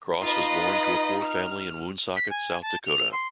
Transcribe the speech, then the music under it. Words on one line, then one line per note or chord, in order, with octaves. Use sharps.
Cross was born to a poor family in Woonsocket, South Dakota.
D#4 F4 B4 D#5
F6
B6
G#5
A5
F7
C6